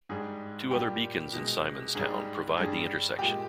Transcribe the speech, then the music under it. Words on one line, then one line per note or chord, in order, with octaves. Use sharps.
Two other beacons in Simon's Town provide the intersection.
G#2 G3 G#4
A#2 G3 G4
B2 G#3
G#2 G3 G#4
G2 G3 G#4
A#2 G#3 G4